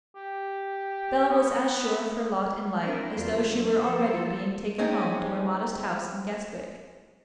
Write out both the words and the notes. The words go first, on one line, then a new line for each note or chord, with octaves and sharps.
Bell was as sure of her lot in life as though she were already being taken home to her modest house in Guestwick.
G4
B3
E3 C4 D4 E4 A#4 B4
E2 F#3 F4 C5
D3 F#3
F3 A#3 A4 C5
G#3 C4 C#4 D#4